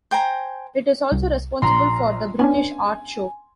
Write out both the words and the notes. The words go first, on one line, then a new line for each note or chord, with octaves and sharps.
It is also responsible for the British Art Show.
C5 G5 G#5 A#5
C2
A#1 A#5 C6
B3 C#4 D4 G#5